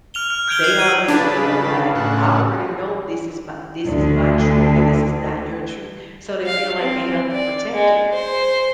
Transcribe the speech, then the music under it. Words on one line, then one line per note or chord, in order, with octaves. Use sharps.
they already feel like, "I already know this is my this is my truth, and this is not your truth," so, they feel like they have to protect it
F6 F7 G7
F6
F6 G6 G#6 D7 F7 G7
F6 F#6 G#6 C7 F#7
E6 F6 G6 G#6 D#7
C#3 D4 A4 B4
A2 F#4
D2 D3
F5
C4
D5
G#3
C5